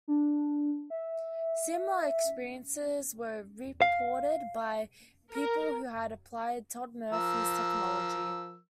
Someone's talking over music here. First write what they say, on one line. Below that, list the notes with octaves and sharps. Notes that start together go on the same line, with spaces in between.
Similar experiences were reported by people who had applied Todd Murphy's technology.
D4
E5
F5
A#4
F3 A#4 E6